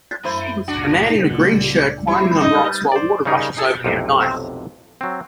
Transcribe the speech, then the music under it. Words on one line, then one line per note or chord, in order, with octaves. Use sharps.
A man in a green shirt climbing on rocks while water rushes over them at night.
F#2 A3 E4 C5
C#2 A#2 D4 F#4
D3
E4 C#5
D#4 D#5
C5 D5
C#3 G3 C#4 D#4 G#4 A#4
D#4 G#4 A4
B1 F2 A2 C3
F#3 C4